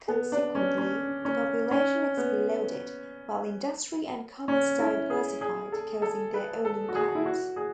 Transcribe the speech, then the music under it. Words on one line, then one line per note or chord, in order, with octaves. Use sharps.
Consequently, the population exploded, while industry and commerce diversified, causing their own impacts.
B3
D4
C#4
C#4
C#4
C#4
B3
C#4
E4
G#4
G#4
A4
A4
B4
A4
F#4
G#4
E4
F#4
G#4